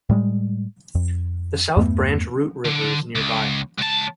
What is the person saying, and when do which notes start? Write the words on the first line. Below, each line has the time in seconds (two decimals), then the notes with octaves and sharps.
The South Branch Root River is nearby.
0.10 A2 G3 G#3
0.95 F2
1.77 E2 G2 A3 B3
2.65 D3
3.15 C#2
3.79 C#2 A5